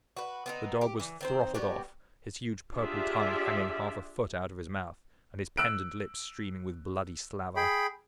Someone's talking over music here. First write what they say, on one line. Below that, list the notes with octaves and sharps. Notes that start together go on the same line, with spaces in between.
The dog was throttled off; his huge, purple tongue hanging half a foot out of his mouth, and his pendent lips streaming with bloody slaver.
F#4 B4
B3 C4 D#4
G4
E3
D#3 C4 C5
G3 B3 F#4 G4
D4 F4 G4 G#4 D5 E5
E6 F#6 D7
G#4 G5 B5